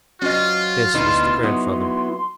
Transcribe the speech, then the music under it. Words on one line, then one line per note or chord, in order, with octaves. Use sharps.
This was the grandfather.
F#3 C#4 F4 F#4 C5 D#5
D2 B2 B3 D#4 E4 C6 E6
F#3 B3 D#4 E4 F#4